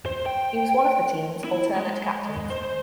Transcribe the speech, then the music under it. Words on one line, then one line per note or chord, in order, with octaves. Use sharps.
He was one of the team's alternate captains.
C5
G5
E4
G#3
C5